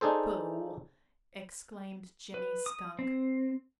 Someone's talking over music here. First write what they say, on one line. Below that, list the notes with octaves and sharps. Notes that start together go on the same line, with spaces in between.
"Pooh!" exclaimed Jimmy Skunk.
D4 D#4 G#4 A4 C5
B4
D#6
C4